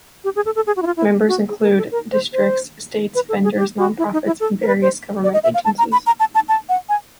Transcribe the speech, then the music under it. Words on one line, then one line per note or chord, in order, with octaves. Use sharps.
Members include districts, states, vendors, non-profits, and various government agencies.
G4
G#4
A4
A4
G#4
F#4
E4
F4
E4
F#4
G#4
A#4
A4
A#4
C5
C5
B4
A4
G#4
G4
F#4
E4
D#4
E4
A4
A#4
B4
C5
D5
D#5
E5
F5
A5
A#5
B5
A#5
A5
A5
A5
F#5
G#5